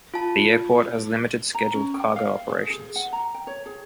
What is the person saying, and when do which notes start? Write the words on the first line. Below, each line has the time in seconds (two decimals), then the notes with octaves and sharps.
The airport has limited scheduled cargo operations.
0.14 F4 A5
1.55 A#5
1.74 C#4
1.94 G5
2.16 F5
2.49 G#4
2.70 G#4
2.96 F#5
3.13 A#5
3.34 G5
3.47 C#5
3.66 G#4